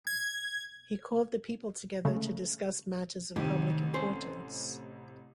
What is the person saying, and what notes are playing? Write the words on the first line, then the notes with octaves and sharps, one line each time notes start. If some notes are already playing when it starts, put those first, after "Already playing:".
He called the people together to discuss matters of public importance.
G#6
C#3 G#3 A3
A1 C3 D#3 G4
C#4 A4 C5